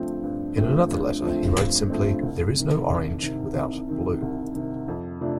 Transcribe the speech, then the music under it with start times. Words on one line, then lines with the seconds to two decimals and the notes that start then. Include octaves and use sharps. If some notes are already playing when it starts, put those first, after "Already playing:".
In another letter he wrote simply, there is no orange without blue.
Already playing: G2 F3 A3 C4
0.23 G2
0.57 F3 A3 C4
0.90 G2
1.22 F3 A3 C4
1.56 G2
1.90 F3 A3 C4
2.23 C2
2.56 C3 D#3
2.90 C2
3.22 C3 D#3
3.55 C2
3.88 C3 D#3
4.22 C2
4.55 C3 D#3
4.88 F2
5.21 C3 F3 A3 D4